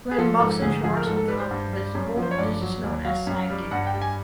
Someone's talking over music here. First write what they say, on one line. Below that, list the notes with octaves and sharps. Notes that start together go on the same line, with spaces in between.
When boxer shorts become visible this is known as "sagging".
G#4
F3 A4
G#2 A4
D2 G#4
F3 G#4
A#4
G#2 A4
A4
G3 B4
C5
G2
G3
F#2
F3
C5
C#5
G2 D5
F#3
D#2
F#3 F5
F#2
G3
G2 F#5
G5
G3
G#5